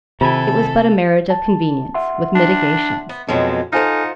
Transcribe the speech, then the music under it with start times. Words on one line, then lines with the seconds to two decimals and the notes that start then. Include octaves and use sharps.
It was but a marriage of convenience, with mitigations.
0.21 C3 D#3 E4 F4 A4 G#5 B5
1.30 A5
1.94 E5 F#5 C6
2.35 D4
3.09 B3
3.28 F2 B2 F#3 G#3
3.72 D#4 F4 A4 C5 F#5 G#5 F6